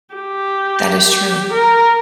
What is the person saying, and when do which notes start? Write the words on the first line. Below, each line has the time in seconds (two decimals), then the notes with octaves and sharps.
That is true.
0.15 G4
1.53 A#4